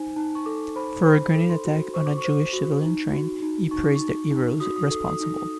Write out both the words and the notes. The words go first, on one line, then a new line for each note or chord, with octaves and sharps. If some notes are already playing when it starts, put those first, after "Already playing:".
For a grenade attack on a Jewish civilian train, he praised the "heroes" responsible.
Already playing: D#4 C5 G#5
D#4 A5
C#6
A4 D6
C5 B5
C5 B5
A4
C6
F#4
C5 C#6
D6
C#6
C5
F#4
D#4
F#4
D#4
D#4 C#6
D6
C#6
D#4
D#4
F#4 D#6
D#6
A4 D#6
D#6
D#4 D#6
D#6